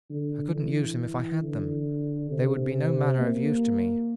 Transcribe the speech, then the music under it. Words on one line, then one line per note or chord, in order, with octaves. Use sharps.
I couldn't use them if I had them; they would be no manner of use to me.
D3
E3
D3
C3
A#3